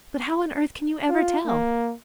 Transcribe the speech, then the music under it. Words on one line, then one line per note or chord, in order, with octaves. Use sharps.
But how on earth can you ever tell?
F4
A#3